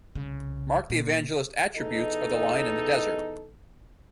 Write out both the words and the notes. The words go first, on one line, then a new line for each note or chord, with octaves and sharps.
Mark the Evangelist attributes are the Lion in the desert.
C2 C#3
A#2
E2 D#4 A4 D#5